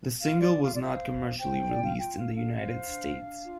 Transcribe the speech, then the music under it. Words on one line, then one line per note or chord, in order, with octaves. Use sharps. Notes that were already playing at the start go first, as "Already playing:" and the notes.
The single was not commercially released in the United States.
F4 F5
D5
F4
F5
D5
C5 F5
C5
C5 G5
F4 D5
F5
F4 G5
F5
A4
F5
C5 F5
D4
D4
F4